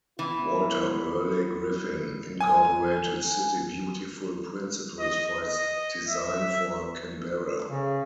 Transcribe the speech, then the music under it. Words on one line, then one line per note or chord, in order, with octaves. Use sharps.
Walter Burley Griffin incorporated City Beautiful principles for his design for Canberra.
E3 B3 E4
G#5
D#5
D#5
E5
C#3